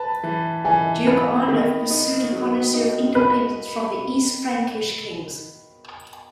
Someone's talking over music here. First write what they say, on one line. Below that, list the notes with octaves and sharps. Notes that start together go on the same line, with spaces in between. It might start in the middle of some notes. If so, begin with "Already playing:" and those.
Duke Arnulf pursued a policy of independence from the East Frankish kings.
Already playing: B4 A5
E3
E3 G#5
B3 B4
D#3
D#4
F#3
D#4
B4